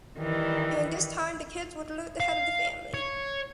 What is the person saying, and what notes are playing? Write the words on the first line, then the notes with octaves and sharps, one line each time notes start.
During this time the kids would alert the head of the family.
D#3 E3 G3
F5
C#5